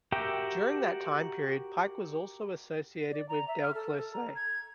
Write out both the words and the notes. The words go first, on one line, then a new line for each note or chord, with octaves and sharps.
During that time period, Pyke was also associated with Del Close.
F#4 G4 A#4 E5 G5
D5
A#5
E5
F6
A4
A4
A#5
G#6